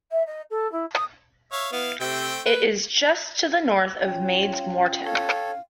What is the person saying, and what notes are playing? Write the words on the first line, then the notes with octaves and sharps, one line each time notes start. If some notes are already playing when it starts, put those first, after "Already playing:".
It is just to the north of Maids Moreton.
E5
D#5
A4
E4
D#6
C#5 E5 F5
B3 E4 F5
C3 A3 C4 G5
B4
C#4 F4 C#5 G5
A4 C#5 F5